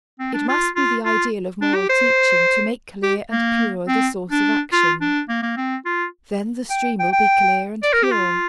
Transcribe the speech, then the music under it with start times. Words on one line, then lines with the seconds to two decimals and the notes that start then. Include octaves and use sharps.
It must be the ideal of moral teaching to make clear and pure the source of action. Then the stream will be clear and pure.
0.19 C4
0.34 D4
0.48 F4
0.76 F4
1.05 F4
1.62 D4
1.75 G4
1.89 C5
3.03 G4
3.31 A#3
3.88 C4
4.30 D4
4.72 F4
5.01 D4
5.29 A#3
5.42 A#3
5.57 C4
5.86 F4
6.70 G5
6.99 G5
7.12 G5
7.83 D5
7.93 A#4
8.03 G4
8.12 F4